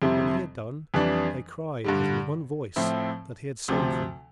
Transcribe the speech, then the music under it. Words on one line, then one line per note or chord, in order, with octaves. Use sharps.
When he had done, they cried as with one voice that he had saved them.
F2 C3 G3 C4 E4
F2 E3 G3 D4
G2 D3 G3
A2 F3 C4 E4
D2 C3 F3 C4